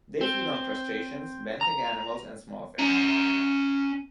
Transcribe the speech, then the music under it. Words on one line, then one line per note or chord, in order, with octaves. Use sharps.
They feed on crustaceans, benthic animals, and small fish.
C4
A#5
C#4 A#5